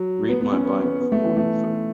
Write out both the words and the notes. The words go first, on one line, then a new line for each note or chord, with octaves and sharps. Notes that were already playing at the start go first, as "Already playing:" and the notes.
Read my bio for more info.
Already playing: F#3
B3
B3
C#4
B3
B3
B3
A3
E3
A3